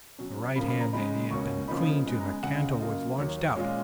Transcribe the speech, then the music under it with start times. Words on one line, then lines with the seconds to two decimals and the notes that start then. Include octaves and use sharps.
The right hand that had been clinging to the cantle was launched out.
0.19 B2 F#3 C#4
0.56 C#3 F3 A#3 B5
0.68 B5
0.81 A#5
0.93 C#3 G#3 D#4 B5
1.30 C#2 B2 A#3 C#4 C#6
1.68 C#3 F3 A#3 D#4 B5
2.06 C#3 G#3 B3 D#4
2.20 A#5
2.31 G#5
2.43 C#2 C#3 G#3 F#5
2.55 F5
2.69 D#5
2.80 C#3 F#3 A#3 F4 D#5
3.18 D#2 D#3 F#3 C#5
3.56 A#2 G#3 C#4 F4 C#5